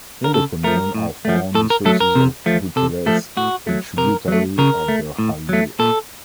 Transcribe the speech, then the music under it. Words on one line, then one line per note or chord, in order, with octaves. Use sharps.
In the commune are found the sources of the Butteresse, a tributary of the Hallue.
A#4
C#3 A4
F3 A3 A#4
A2
F3 A3
A2 A4
A#4
F#3 A3 A4
A#4
C3
F3 A3
C3 A4
F3 A3 A4
A2 F#4
F#3 A3
C3 A#4
F#3 A3
C#3 A#4
A3
A2
F#3 A3
A#2 A4